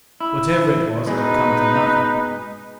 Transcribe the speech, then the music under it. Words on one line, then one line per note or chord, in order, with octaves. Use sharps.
Whatever it was, it had come to nothing.
E4
B2 G#3 D#4 B4